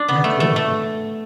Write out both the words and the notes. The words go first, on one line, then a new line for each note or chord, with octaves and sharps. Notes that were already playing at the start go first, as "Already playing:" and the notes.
Yeah, cool.
Already playing: D4
B3
A3
A3
A3